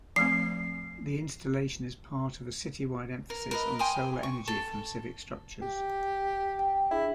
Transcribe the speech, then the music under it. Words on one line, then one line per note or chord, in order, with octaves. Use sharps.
The installation is part of a citywide emphasis on solar energy from civic structures.
F3 A3 C4 C7
A#4
A#4 B4 D#5
G5 G#5 C6 D#6
C#6
A4
G4
G5
D4 E4 G#4